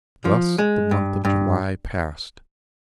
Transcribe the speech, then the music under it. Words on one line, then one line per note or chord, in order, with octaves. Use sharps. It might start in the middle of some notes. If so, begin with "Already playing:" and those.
Thus the month of July passed.
F3
G#3
G2
G2